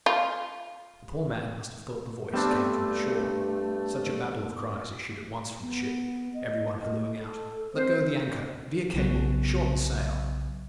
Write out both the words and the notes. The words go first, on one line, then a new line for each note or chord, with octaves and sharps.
The poor man must have thought the voice came from the shore: such a Babel of cries issued at once from the ship--every one hallooing out, "Let go the anchor! veer cable! shorten sail!"
F4
G2 G3 A3 B3 C4 D4
B3
D#5
A4
C4 C5
B1 C#3 F#3 B3